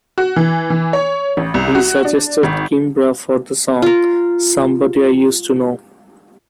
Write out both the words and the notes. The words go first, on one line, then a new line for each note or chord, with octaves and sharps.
He suggested Kimbra for the song "Somebody I used to Know".
F#4
E3
E3
C#5
A1
C2
F#4
D4
G#1
F4 A#4